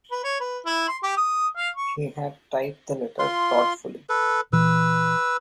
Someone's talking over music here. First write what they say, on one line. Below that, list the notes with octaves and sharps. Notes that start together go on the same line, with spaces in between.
He had typed the letter thoughtfully.
B4
C#5
B4
E4
C6
G4
D#6
F5
C#6
F4 C6
A4 B4
A#2 E3 B4 E6